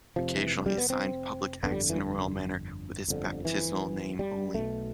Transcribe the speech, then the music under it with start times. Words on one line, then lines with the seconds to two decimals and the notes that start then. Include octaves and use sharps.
Occasionally he signed public acts in the royal manner, with his baptismal name only.
0.16 F1 F2 C3 F3
0.35 E3
0.66 G3
0.78 B3
0.90 C4
1.63 G1 F2 D3 B3
1.72 G3
1.90 E3
3.08 G1 F2 D3
3.45 E3
4.19 G3
4.55 B1 B2 A3